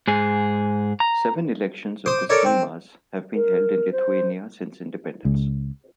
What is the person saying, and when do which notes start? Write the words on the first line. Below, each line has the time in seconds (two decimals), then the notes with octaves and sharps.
Seven elections of the Seimas have been held in Lithuania since independence.
0.07 G#2 G#4
1.00 A#5
2.06 C5 C6 D6 D#6
2.29 A4 A#4 C#5 D5
2.45 C4
3.34 A#4
3.91 C5
5.25 C#2